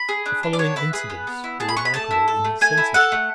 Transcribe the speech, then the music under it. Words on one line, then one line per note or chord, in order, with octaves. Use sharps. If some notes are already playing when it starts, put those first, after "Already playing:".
The following incidents were remarkable in his censorship.
Already playing: B5
G#4
D4
D4
D5
B3 C#5
E4 B4
G#4 B4
B3
B3
E4
G#4 A5
B5
B3 C#6
B5
A3 A5
E4
A4
A3
A3 G#5
E4
A4 F#5
A3